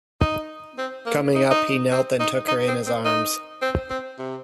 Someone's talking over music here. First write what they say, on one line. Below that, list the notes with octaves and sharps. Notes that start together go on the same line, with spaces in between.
Coming up he knelt and took her in his arms.
D#4
C4
A#3
D#4
D#4
C4
D#4
D#4
C4
C4
D#4
C4
C4
C3